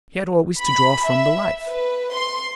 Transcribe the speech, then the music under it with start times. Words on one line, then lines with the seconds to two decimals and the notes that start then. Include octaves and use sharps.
He had always to draw from the life.
0.60 B5
1.05 E5
1.67 B4
2.13 C6